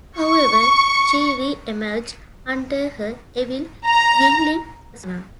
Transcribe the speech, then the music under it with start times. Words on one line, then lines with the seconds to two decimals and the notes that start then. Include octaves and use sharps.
However, she re-emerged under her evil Yinling persona.
0.20 C#6
3.85 A#5